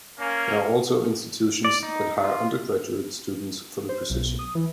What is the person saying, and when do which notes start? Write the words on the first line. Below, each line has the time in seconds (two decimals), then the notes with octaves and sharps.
There are also institutions that hire undergraduate students for the position.
0.20 A#3 C#4
1.65 D5
1.83 D#4
2.24 F4
3.89 C5
4.10 B1
4.39 D#6
4.55 E3